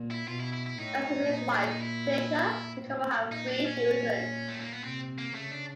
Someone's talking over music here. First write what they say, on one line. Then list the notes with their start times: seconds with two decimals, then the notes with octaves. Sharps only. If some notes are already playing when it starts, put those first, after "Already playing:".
Married to his wife Tricia, the couple have three children.
Already playing: A#2
0.11 E4
0.28 B2 F4
0.40 E4
0.53 E4
0.66 E4
0.78 A2 D#4
1.29 A#2
1.53 D4
1.66 D#4
1.80 E4
2.81 A2
3.32 A#2 D#4
3.49 D4
3.66 C#4
4.48 A3
4.60 A#3
4.72 B3
4.84 C3 C4
5.18 A#3
5.35 C#3 A3
5.51 D4